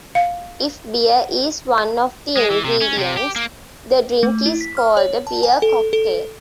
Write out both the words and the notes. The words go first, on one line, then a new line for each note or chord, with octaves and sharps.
If beer is one of the ingredients, the drink is called a beer cocktail.
F5
G#3
E3
C3
C#4
C3
G4
A#3
A3
E4
B6
F6
C#5
A5
G#5
A4
A4